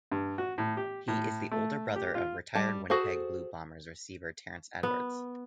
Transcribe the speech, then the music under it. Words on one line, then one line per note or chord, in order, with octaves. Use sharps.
He is the older brother of retired Winnipeg Blue Bombers receiver Terrence Edwards.
G2
F#4
A2
G4
A2
A3
G4
F4
G3 A5
F#4 G#4 A4 C5
B3